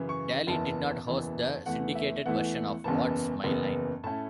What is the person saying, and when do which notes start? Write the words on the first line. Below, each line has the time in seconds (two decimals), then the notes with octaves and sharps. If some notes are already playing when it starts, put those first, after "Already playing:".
Daly did not host the syndicated version of What's My Line?
Already playing: F#2 C#3 E3
0.09 C#6
0.47 F#1 E2 E3 B3 E4 A5
1.06 F#1 E2 E3 B3 E4
1.66 E2 E3 A3 E4 F#5
1.95 E5
2.25 E2 E3 A3 E4 F#5
2.84 F#1 E2 C#3 E3 B3 A5
3.44 F#1 E2 C#3 E3 B3
4.03 A2 A3 C#4 E4 A5